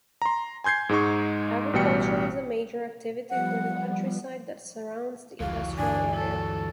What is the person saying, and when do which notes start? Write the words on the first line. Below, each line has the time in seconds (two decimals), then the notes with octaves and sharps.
Agriculture is a major activity for the countryside that surrounds the industrial area.
0.22 A#5 C6
0.64 G#5 C6 G6 G#6 C7
0.89 G#2 G#3 D#4 C#6
1.73 A1 B2 G3 G5 C#7
3.30 F3 G3 B3 F#5
5.40 F1 C#2 E3 F#3 F5
5.78 D2 G2 D3 D4 G#5
6.14 A4